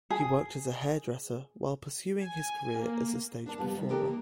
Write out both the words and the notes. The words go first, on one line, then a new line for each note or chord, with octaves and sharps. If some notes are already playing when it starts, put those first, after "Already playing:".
He worked as a hairdresser while pursuing his career as a stage performer.
G#4
G#5
A#3
D4 A#4 A5
F3 G3 B3
D#3 G3
E3 G#3 D4 G4 A4 A#4
A#3